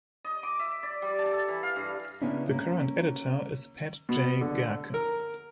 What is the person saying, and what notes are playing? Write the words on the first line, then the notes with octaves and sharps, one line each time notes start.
The current editor is Pat J. Gehrke.
D#5
D6
E5
D5
G3
A5
A4
E3
F5
G2
C#3 A#3 B3 C#4 D4 E4
A#3 C#4
B2
D3
A#4